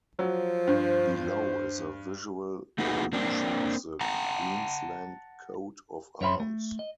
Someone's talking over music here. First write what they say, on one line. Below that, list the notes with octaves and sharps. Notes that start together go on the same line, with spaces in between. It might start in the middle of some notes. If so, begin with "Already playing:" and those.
Below is a visual evolution of the Queensland coat of arms.
F3 F#3
G2 C5
A3 A#3 D#4 F#4 G#4 B4
A#3 C4 D4
F#5 A5 A#5
F#2 C#5 E5 F5 B5 C6
A3
D#5